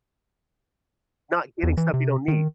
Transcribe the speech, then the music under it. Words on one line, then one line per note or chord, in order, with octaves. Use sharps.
not getting stuff you don't need.
E2
E3
C3
D#3